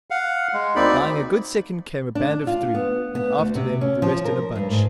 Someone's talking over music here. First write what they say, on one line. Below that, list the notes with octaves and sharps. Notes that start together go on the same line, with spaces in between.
Lying a good second came a band of three, and after them the rest in a bunch.
F5 F#5
G#3
D2 A#3 C4 D#4 D5 B5
D4
F4
B3
B3
D2
C3
C#4
F3
A#4
G2
G#2